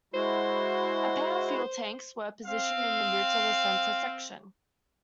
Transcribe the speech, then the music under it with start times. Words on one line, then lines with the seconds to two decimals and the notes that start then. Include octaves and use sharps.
A pair of fuel tanks were positioned in the roots of the center section.
0.14 G#3 E4 F#4 C5
2.45 C4 F5